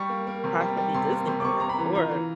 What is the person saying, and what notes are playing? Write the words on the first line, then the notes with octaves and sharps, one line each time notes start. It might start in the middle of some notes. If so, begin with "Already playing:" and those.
possibly Disneyland or
Already playing: G3 C#6
A#3
A#3
C3
G3
G3
C3 C6
A#3
C3
D6
C3 C#6
A#3 A#5
B5
E3
F4 A#5
E3